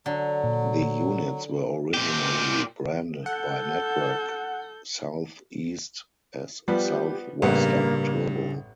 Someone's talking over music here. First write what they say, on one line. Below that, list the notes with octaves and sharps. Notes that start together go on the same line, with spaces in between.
The units were originally branded by Network SouthEast as South Western Turbo.
D3 F#3
A#2
A#2 G4
A4 F#5 G6
F3 G3 B3 G4
A1 G2 C#3 A#3 B3 F#5